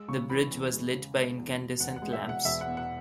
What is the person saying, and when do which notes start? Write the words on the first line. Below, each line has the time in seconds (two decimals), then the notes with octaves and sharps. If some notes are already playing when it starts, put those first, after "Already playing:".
The bridge was lit by incandescent lamps.
Already playing: G#3 E6
0.08 C#3 C#6
0.30 E3 B5
0.51 E2
0.72 G#3
0.94 C#3
1.16 G#3
1.37 E2
1.59 B2
1.80 E1 F#5
1.96 F#5
2.02 G#3
2.13 E5
2.23 E2
2.29 F#5
2.45 E1 E5
2.61 F#5
2.66 E2
2.77 F#5